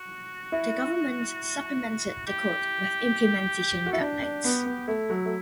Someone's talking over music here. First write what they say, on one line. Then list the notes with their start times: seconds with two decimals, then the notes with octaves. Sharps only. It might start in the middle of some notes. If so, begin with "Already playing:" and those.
The government supplemented the Code with Implementation Guidelines.
Already playing: F#4
0.52 E4
2.27 G4
3.86 F#4
3.92 E4 A4
4.01 D4 G4
4.22 D4
4.44 B3
4.66 B3
4.88 A3 E4
5.10 F#3
5.25 A3